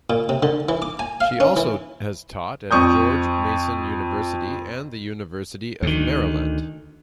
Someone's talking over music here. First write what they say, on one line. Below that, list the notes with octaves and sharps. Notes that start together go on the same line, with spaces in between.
She also has taught at George Mason University and the University of Maryland.
A#2
C3
D3
E3
D6
G#5
F5
C#4
E3
F2 C#6 D#6 G6
D2 D#3